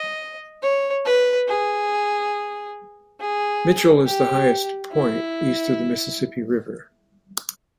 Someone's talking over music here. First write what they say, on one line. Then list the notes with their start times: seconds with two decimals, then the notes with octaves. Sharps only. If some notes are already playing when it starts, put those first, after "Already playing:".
Mitchell is the highest point east of the Mississippi River.
Already playing: D#5
0.62 C#5
1.05 B4
1.48 G#4
3.20 G#4
4.06 G4
4.92 E4